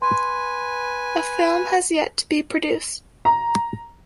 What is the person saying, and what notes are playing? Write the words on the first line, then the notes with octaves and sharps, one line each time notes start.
A film has yet to be produced.
B4 G#5 C6
A#5